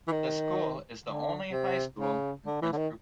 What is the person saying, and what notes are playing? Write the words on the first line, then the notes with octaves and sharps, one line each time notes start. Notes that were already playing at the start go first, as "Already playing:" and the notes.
The school is the only high school in Prince Rupert.
E3
D#3
D3
C3
C#3
D3
E3
D3
D#3